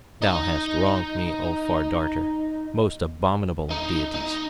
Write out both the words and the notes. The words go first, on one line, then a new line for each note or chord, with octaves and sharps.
'Thou hast wronged me, O far-darter, most abominable of deities.
D#4
D#4
D#4